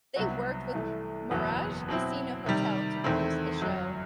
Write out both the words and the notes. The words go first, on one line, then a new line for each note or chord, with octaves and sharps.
They worked with Mirage Casino-Hotel to produce a show.
C2 C3 F#3 B3 F#4
C2 C3 E3 A3
F#1 E2 B2 F#3 B3
B2 F#3 C4 E4
C3 D#3 G3
E2 D#3 A3 C4 E4
G1 F#2 F#3